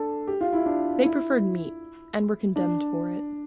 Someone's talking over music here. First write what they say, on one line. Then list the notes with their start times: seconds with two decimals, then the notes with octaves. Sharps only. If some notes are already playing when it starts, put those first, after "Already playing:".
They preferred meat, and were condemned for it.
Already playing: D4 A4
0.27 G4
0.41 F4
0.53 E4
0.66 D4
1.04 E4
2.56 D4